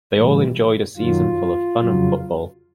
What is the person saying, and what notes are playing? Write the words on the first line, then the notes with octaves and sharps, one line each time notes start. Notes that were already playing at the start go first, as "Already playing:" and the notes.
They all enjoyed a season full of fun and football.
A2 E3 G3
F#2 D#3 F#3 F4
F2 C#3 F#3